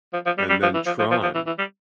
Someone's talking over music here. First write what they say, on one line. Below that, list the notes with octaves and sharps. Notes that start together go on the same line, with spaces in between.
and then Tron,
F3
F3
G3
G3
F3
E3
F3
F3
F3
F3
E3
E3
G3